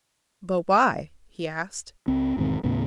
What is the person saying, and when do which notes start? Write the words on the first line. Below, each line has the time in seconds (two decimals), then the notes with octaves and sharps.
"But why?" he asked.
2.08 C#2 C4
2.37 E1 G#2 D#3 C4
2.63 D#2 A2 C#3 B3